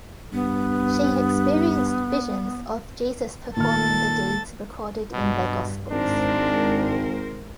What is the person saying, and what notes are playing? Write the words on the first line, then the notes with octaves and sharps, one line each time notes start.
She experienced visions of Jesus performing the deeds recorded in the gospels.
G2 B3
A#2 D#3 A4 F6 A6
G2 B2
G#1 G#2 D4 A#4 C5